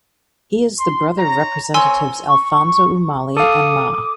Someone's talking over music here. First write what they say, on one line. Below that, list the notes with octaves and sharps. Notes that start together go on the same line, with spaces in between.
He is the brother of Representatives Alfonso Umali and Ma.
C6
C#5 A#5
C4 A#4 C#5 G#5 C6 E6
C#6
A4 F5 D6 D#6